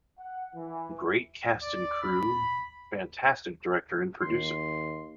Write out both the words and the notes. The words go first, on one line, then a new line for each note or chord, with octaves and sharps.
Great cast and crew, fantastic director and producer.
F#5
E3
D5
B5
D#2 C6